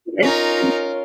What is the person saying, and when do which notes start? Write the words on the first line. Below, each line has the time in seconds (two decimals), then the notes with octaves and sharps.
this and
0.23 C#4 D#4 F4 A#4 A#5